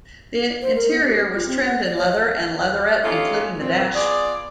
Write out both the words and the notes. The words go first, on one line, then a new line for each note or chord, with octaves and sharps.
The interior was trimmed in leather and leatherette, including the dash.
C5
A#4
B3
G4
F4
C4
F#5
D5
C#5
D#5
A#3 C#4 D#4 F4 G4 A4
A#2 C4
B3 F4 G#4 D5